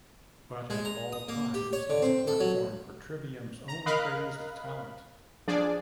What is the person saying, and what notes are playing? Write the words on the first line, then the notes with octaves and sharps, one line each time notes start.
But at all times it's a platform for Trivium's own crazed talent.
G#3
A#5
D#6
A#3
G4
C#5
D3
C4
A4
F#3
A#5
A#4 D#5 F5 B5 F#6
F3 D4 G#4 D5